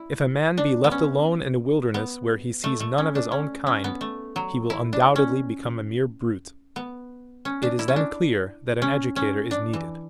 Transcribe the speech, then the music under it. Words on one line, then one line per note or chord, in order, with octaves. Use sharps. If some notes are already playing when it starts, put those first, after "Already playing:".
If a man be left alone in a wilderness where he sees none of his own kind, he will undoubtedly become a mere brute; it is then clear that an educator is needed.
Already playing: E4
D4
B3
C#4
B3
A3
A3
C#4
D4
C#4
C#4
B3
A3
F#3
E4
D4
C#4
B3
C#4
D4
E4
C#4
D4
C#4
C#4
D4
E3